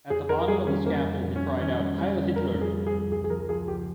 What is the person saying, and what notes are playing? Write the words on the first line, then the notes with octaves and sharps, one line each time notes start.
At the bottom of the scaffold he cried out "Heil Hitler!".
F2 G#4
F2 A#4
G3 G#4
D#3 C#4
F2 A#3
F2
F2
C#4
F2
D#3 C#4
G3
G3 C#4
F2
F2 A#4
F2
G#4
G3
G#4
F2
C#2 G#4
G#4
F3 A#4
F3 G#4
C#2 G4